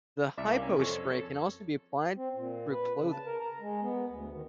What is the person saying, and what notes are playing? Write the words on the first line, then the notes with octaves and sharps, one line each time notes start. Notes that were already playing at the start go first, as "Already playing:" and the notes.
The hypospray can also be applied through clothing.
C2 D5 E5
A#3
C#4
F2 A4 C#5
A4
C4
A#2
B4
C#3
A5
A#4
A#5
G#3
B3
D2
D#3